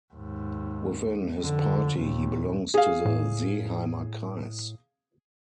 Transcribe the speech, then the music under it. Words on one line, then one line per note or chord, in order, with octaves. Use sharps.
Within his party, he belongs to the Seeheimer Kreis.
D#2 G#2
F2 D3
D#2 A#2
G#4 F5
A2